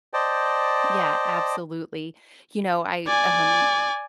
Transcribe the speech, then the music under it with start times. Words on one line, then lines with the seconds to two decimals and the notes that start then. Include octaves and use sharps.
Yeah, absolutely. You know, I, um,
0.13 C5 D5 D#5 G5 A5
3.07 D5 G#5